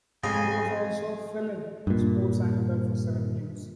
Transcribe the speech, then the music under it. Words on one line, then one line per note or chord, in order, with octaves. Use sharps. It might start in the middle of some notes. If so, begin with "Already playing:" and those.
He was also 'fill-in' sports anchor for Seven News.
F2 G#2 C#3 G#3 D#5 G#5 C#6 C7
G2 A#2